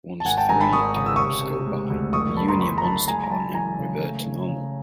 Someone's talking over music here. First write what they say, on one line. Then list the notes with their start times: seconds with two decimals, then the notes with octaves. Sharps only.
Once three turns go by, you and your monster partner revert to normal.
0.20 A5
0.25 G#1 F#5 G#5
0.37 G5 A5
0.49 G#1 G#5 A#5
0.60 A5 B5
0.72 G#1 C#6 D#6
0.96 C#3 D#6
1.06 E6
1.16 C3 C#6 D#6
1.43 C3
1.67 G#3
1.90 D2
2.13 F#1 C#6 D#6
2.37 F#1 A5 B5
2.48 A#5 C6
2.60 F#2 B5 C#6
2.78 A#5
2.84 F#1 A5 B5
3.08 G#3 G#5 A#5
3.24 A#5
3.30 F#2 A5 B5
3.54 E3 G#5 A#5
3.79 C#3
4.01 A3
4.25 C#3
4.48 C#3